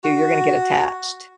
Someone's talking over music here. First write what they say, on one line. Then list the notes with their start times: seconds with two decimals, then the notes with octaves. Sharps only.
you you're gonna get attached.
0.04 F#4